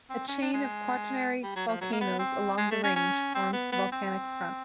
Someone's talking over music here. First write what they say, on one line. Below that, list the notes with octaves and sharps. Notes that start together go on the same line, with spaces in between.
A chain of Quaternary volcanoes along the range forms the volcanic front.
C4
C#4
D4
G#3
G3
F#3
F3
F#3
A#3
B3
C4
G#3
A3
C#4
C#4
C4
B3
B3
C4